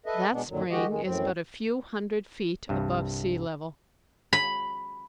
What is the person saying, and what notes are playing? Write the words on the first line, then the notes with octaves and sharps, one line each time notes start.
That spring is but a few hundred feet above sea level.
A4 B4 D#5 E5
B2 G#3 B3 D4
F#2 A#2 D3 D#3 F#3
D#3 G#3 F#4 G4 D#5
D#3 G#3
F#2 A2 C4
C2 G2
B5